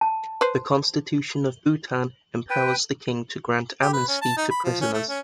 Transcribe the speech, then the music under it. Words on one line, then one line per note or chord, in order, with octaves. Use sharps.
The Constitution of Bhutan empowers the King to grant amnesty to prisoners.
A5
B4 C5
B4 G5
G4
B4
C#4
A5
D#4
B5
F3
C#4
A3
C#4